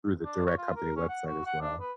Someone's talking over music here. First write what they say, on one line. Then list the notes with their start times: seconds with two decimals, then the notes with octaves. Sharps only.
through the direct company website as well.
0.25 D4
0.45 C#5
0.58 F4
0.76 A#4
0.96 C#4
1.09 F#5
1.26 F#4
1.45 F#5
1.61 D4
1.81 B4